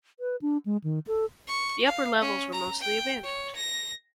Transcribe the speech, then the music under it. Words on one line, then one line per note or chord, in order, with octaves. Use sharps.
The upper levels were mostly abandoned.
B4
D4
G#3
D#3
A4
C#6
F5
C#4
A#5
G5
C#5
A#6